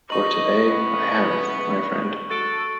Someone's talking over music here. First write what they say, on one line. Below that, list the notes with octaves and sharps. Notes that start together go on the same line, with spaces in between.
For today, I have, my friend.
D#4 G4 D#5 C#6 F#7
C#3 A3 B3
F#4 A4 C#6 A6 D7